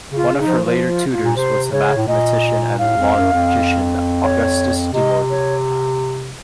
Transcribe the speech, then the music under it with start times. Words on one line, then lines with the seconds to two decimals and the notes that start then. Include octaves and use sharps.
One of her later tutors was the mathematician and logician Augustus De Morgan.
0.11 C#3
0.16 F4
0.29 C#3
0.40 D#4
0.46 F3
0.64 F3 F4
0.88 F4
1.12 F4
1.24 A#2
1.35 C3 C5
1.72 C#3 C#5
1.96 A2
2.08 A#2 D#5
2.79 A2 F5
2.97 F2
3.15 F#2
3.33 F2
4.23 C#5
4.93 C3 D#5
5.30 C#5